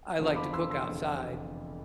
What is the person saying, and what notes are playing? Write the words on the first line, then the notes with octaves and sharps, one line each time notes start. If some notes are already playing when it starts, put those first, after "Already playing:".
I like to cook outside
F1 E2 D3 F3
B5 D6
C6 E6
C6 E6
F1 E2 D3 F3